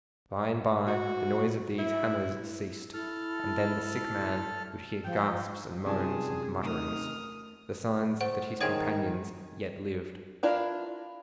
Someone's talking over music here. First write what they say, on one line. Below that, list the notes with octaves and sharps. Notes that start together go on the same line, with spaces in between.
By and by the noise of these hammers ceased, and then the sick man could hear gasps, and moans, and mutterings--the signs that his companions yet lived.
F#4
E4
E4 A4 A5 F6
F3 G5
C3 C#4 D#4 F4 G#4 G#5 A5
A3 D#4 A#4 D#6 F6
A3 C5 F#5
D#3 F3 G#4 C#5 F#5 G5
D4 E4 F4 A#4 D5